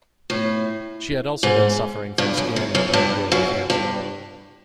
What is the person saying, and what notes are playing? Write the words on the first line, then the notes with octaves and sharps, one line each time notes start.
She had also been suffering from skin and pancreatic cancer.
A2
G#2
G2
F#2
F#2
F#2
G2
F#2
G2